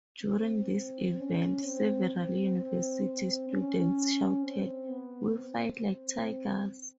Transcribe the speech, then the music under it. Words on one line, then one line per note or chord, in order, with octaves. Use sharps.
During this event, several university students shouted, We fight like Tigers!
C4
C#4
C4
C4
C4
C4
C#4
C4
B3
C4